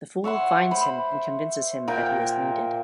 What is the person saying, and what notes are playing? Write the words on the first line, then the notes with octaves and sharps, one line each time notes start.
The Fool finds him and convinces him that he is needed.
C#5 E5 F#5 C6
C5 B5
A#2 A#4 G5